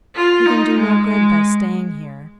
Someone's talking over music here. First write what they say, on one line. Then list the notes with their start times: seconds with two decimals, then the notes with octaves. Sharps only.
You can do no good by staying here.
0.16 F4
0.46 D#4
0.78 G#3
1.08 G#3